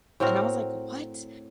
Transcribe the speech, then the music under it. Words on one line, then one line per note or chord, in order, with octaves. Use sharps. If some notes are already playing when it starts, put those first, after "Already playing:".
and I was, like, "What?"
A2 C4 F#4 A#4